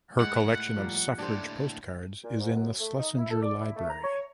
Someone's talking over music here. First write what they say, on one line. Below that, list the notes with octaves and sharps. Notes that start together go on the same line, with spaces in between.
Her collection of suffrage postcards is in the Schlesinger Library.
A2 G#3 F#5
F3 G3 A#3
D2 A2 D4 G4 C5
A#2
G#2
F#2
A3
D#4
E4
A4
D5
E4
A3
A#5
C#5